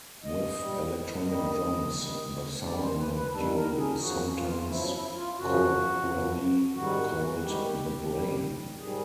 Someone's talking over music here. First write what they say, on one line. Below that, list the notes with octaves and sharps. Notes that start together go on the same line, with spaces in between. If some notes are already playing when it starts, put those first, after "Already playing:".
With electronic drums, the sound module is sometimes colloquially called the "brain".
D#5
A#2 G3
G2 D#3 G3 D#5
G2 D#3 G3
G2 D#3 G3 D5
C5
B4
B4
G2 D#3 G3 A4
A#4
G#4
F#2 C#3 F3 F#4
F4
F#2 C#3 F3 E4
E4
F4
F#2 C#3 F3 F#4
F#2 C#3 F3
G#2 D#3 G3 F#4
G#2 D#3 G3 G4
G#2 D#3 G3
G#2 D#3 G3 G#4